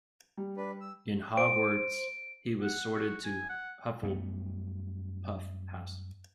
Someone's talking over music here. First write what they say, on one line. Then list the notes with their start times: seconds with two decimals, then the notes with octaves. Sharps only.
In Hogwarts, he was sorted to Hufflepuff house.
0.37 G3
0.57 D4 B4
0.81 E6
1.37 C5 D7
2.62 F#5
2.95 F#4
3.24 G#5
3.49 F#5
4.03 F#2 G3 A3 B3